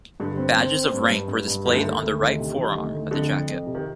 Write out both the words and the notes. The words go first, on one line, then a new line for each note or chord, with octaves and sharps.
Badges of rank were displayed on the right forearm of the jacket.
G2 D3
C4
C4
C4
G2
G2
G2
G2
D2 D#3
D3
D2 D#3
D2
D#3
C3
D#3
D2
D2
F2 D3
F2
F2
C3
D#3